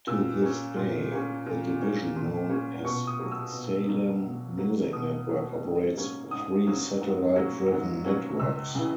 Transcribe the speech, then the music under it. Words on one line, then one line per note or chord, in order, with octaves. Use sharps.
To this day, the division known as "Salem Music Network" operates three satellite-driven networks.
A#2 E6
A#3 C#4
A#2
A#3 C#4
A#2
A#3 C#4
A#2
A#3 C#4
B2 C#6
D#6
F#3 A#3
E6
B2
F#3 A#3
B2
F#3 A#3
B2 D#6
F#3 A#3
G#2
F#3 A#3 C#4
G#2 D#6
F#3 A#3 C#4
G#2
F#3 A#3 C#4
G#2
F#3 A#3 C#4
C#2 E6
C#3 E3